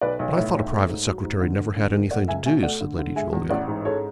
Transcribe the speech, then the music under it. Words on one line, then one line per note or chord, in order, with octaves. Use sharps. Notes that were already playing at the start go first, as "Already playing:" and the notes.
"But I thought a private secretary never had anything to do," said Lady Julia.
B1 B4 D5
B1
A2 C#5 E5
B1
A3
G#2
F#3
G#2
D3
E1
D3
E1
A3 D5 F#5
C#2 E5 G#5
B2 E5 G#5
A3 D5 F#5
D3
D3
G#3 E5 G#5
E2
A1 D5 F#5
G#2
G#3 A4 C#5